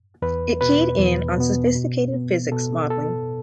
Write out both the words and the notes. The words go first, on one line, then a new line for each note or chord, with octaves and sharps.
It keyed in on sophisticated physics modeling.
E2 B4
B2 B3 B4
E2
B2 B3
B2
B3
B2 A4
B3 A4